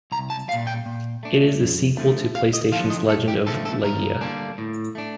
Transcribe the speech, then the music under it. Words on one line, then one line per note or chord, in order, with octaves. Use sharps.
It is the sequel to PlayStation's "Legend of Legaia".
C2 A#5
A5
A#2 G3 F5
G5
A#2
A3 D4
F2
D3 F3 A3
D2 F5
D#5
D3 F3 F5
D#5
G2 A4
G4
D3 F3 A3 A4
A4
G2 A#4
D3 G3 A#3 D4
A2
A3 D4